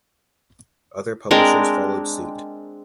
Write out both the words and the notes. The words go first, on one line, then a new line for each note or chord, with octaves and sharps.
Other publishers followed suit.
G#3 C4 D4 A#4